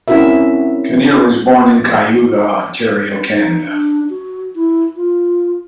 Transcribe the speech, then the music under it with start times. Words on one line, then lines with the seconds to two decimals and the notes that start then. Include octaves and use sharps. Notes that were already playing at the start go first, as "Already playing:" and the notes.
Kinnear was born in Cayuga, Ontario, Canada.
0.08 C4 C#4 E4 F#4 A#4 E5
3.31 D#4
3.65 D4
4.10 F#4
4.55 E4
4.96 F4